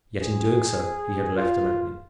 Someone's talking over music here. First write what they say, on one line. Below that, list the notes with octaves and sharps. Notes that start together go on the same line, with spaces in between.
Yet, in doing so, he had left an opening.
G#4
F4